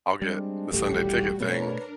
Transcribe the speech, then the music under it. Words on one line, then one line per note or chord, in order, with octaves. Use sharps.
I'll get the Sunday ticket thing,
G3 G#3 C4 D4
D#1 A1 A2 G3 A3 F#4 G4
B2 A3 B3 D4 A#4 B4 C#5